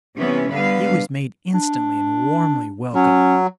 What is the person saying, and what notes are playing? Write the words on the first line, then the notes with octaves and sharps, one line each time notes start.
He was made instantly and warmly welcome.
C3 E3 G3 B3 C#4
D3 G3 B3 B4 F5
D4
F#3 C#4